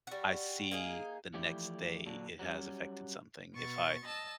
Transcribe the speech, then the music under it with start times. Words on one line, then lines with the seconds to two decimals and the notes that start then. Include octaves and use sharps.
I see the next day it has affected something, if I
0.07 G3 F#4
0.71 A#3 D#4 G#4
1.34 E3 F3 A3 E4 G4 D5
2.06 A#2 D3 F#3 D4
2.39 F#3 G3 C#4
3.54 B2 C#6 A6
4.06 D#5 A5 E6